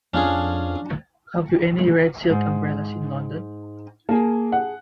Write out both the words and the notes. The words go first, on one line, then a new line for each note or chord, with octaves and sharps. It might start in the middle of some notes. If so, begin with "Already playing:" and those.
Have you any red silk umbrellas in London?
F2 C#4 D4 F4 G#4
G#2
A#3 G#4 A5
F#5